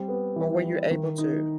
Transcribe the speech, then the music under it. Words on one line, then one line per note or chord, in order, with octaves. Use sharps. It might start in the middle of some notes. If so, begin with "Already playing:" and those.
or were you able to?
Already playing: G3 C4
B3
E3
E4
D#3
D#4